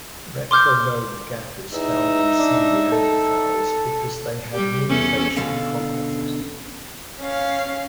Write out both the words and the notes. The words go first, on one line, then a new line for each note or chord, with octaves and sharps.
Retromolar gap is found in some Neanderthals because they had midfacial prognathism.
C6 D6 F6 G6
E2 D#4 E5
D4
A4
G3 G4
E2 C#4 A4
B2 D3 C#4 A4 F5
C#4 F5